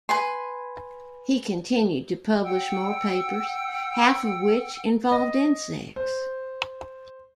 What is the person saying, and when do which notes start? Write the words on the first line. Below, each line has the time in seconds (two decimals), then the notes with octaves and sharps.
He continued to publish more papers, half of which involved insects.
0.09 B4 G#5 C6
2.44 F#5 G5 E6
5.11 D#5
5.96 C5